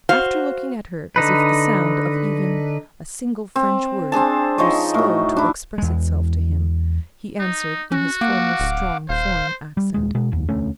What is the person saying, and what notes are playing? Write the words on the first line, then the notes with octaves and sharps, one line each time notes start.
After looking at her, as if the sound of even a single French word were slow to express itself to him, he answered, in his former strong foreign accent.
F#4 C5 F5
D3 D#4 B4
C4
C4 D4 G#4 A5
F3 D#4 C#5 D#5
A2 F#4
D4 E4
E2 G#3
D#4
C#4 F#4
A#3 F5 F#5 D6
D1
D#1 C5 F5
G3
D#1 G#3
B2 G#3
F1 D#2
E1 D2 A3 C#4